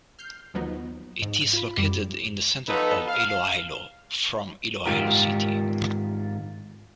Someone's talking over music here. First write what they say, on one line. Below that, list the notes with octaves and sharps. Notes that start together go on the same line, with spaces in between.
It is located in the center of Iloilo, from Iloilo City.
F6 G6 C7
D#2 F3 F#3 B3 D#4
G#2
F4 B5
F#2 G3 D6
F3 B3 D#4 A4 B4
F5
G#2 D#3 F4 G4 A#4